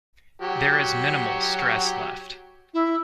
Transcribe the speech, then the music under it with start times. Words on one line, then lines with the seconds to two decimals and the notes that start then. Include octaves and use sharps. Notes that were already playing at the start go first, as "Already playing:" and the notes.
There is minimal stress left.
0.42 F#3 F#4 G4
2.74 E4